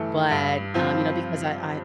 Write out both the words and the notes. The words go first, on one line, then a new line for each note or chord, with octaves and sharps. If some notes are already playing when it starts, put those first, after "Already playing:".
but, um, you know, because I I
Already playing: G2 E3 A3
G2
F3 C4 F4